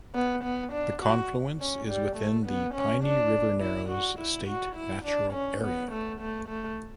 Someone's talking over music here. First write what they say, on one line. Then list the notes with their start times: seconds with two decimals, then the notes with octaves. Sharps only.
The confluence is within the "Piney River Narrows State Natural Area".
0.15 B3
0.44 B3
0.73 D4
1.02 F#4
1.60 C#4
1.88 G3
2.16 A3
2.46 B3
2.74 C#4
3.04 D4
3.61 E4
3.90 F#4
4.19 E4
4.48 F#4
4.76 E4
5.05 D4
5.33 C#4
5.63 B3
5.92 A3
6.21 A3
6.48 A3